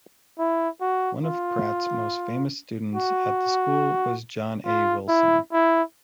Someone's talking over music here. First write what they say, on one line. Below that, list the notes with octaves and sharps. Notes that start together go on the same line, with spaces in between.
One of Pratt's most famous students at the School was John A. Wilson.
E4
F#4
F4
F#4
F4
E4
E4